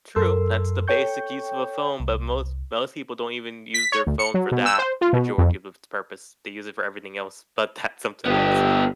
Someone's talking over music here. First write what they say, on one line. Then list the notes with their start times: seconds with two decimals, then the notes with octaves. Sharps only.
True, that's the basic use of a phone, but most most people don't even use their phone for that for the majority of its purpose, they use it for everything else but that sometimes.
0.16 F#2 A4 A#4 C6 E6
0.88 A4 C#5 G5 C#6 G6
2.00 C2
3.74 B6
3.92 C#5
4.07 D2
4.19 C#7
4.34 F#3
4.52 B2
4.66 E6
4.78 C5
5.01 F4
5.13 B2
5.38 F2
8.26 G1 B3 G4